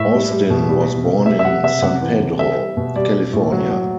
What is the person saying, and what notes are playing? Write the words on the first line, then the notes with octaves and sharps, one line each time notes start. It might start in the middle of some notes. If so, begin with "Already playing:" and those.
Austin was born in San Pedro, California.
Already playing: A2 E5
G3
G3
B2
G3
G3
C3
G3 E5
E5
G3 F#5
C3 E5
C3 F#5
E3
C3
G3 E5
G3
B2
G3 D5
G3
A2
F#3
F#3